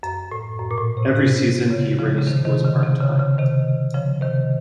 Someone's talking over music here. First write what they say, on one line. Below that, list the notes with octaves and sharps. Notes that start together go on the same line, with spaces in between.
Every season he raced was part-time.
F#2
A2
F#2
A#2
A2
C3
C3
C#3
C#3 F3
C#3
C3 D#3
C3 D#3
C#3
C3
C#3
C#3
C3 D#3
C#3 F3
C3 D#3